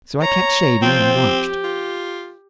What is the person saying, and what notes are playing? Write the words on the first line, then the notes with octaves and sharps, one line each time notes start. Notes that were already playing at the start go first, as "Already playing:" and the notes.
So I kept shady, and watched.
C#5 A#5
F3 C4 G5
G4
F4